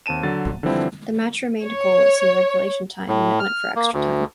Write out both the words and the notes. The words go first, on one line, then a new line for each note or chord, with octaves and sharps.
The match remained goalless in the regulation time and it went for extra time.
D#2 C4 A5 D#7 E7
D3 F#3 A6
D3 E3 F3 G3 C4 E4
C#5
A2
F6
A#3
D2